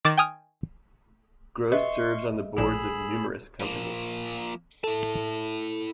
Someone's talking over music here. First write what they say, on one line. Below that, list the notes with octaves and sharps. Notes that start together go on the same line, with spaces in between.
Gross serves on the boards of numerous companies.
D#3 D6 A6 E7
G5 G#5 D#6 F6
B4 D#5 E5 C6 C#6
A#1 A#2 G#4 A4 B5 E6 E7
F3 A#3
E4 A4 A5